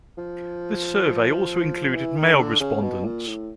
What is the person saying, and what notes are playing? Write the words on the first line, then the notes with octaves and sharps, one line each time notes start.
This survey also included male respondents.
F3
E3
D#3
C#3
D3
C#3
B2
A#2
A2